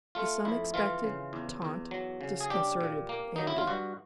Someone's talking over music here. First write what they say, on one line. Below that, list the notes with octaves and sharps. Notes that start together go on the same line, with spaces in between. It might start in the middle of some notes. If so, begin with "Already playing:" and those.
This unexpected taunt disconcerted Andy.
A3 F4
F2 E4
E3 F4
C#3
E2
E2
F#3
C#3
G#4
D4 G4
A#2
A#3
F#3 D#4
E4
F4
G2 F#4